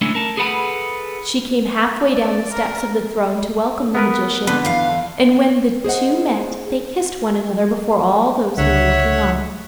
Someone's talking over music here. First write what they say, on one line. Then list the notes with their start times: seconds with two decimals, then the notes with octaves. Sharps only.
She came half-way down the steps of the throne to welcome the magician, and when the two met they kissed one another before all those who were looking on.
0.01 D3 A3 C#4 E4
0.15 A#4 A5
0.37 G#4 A4 B4 F#5 A5 B5
2.13 D5
2.53 A#4
3.95 B3 A#4 B4
4.47 D3 B3 B4
4.65 E2 F5
5.84 G#4 C5 D#5 F#5
8.58 C#2 D3 C#5 E5 F#5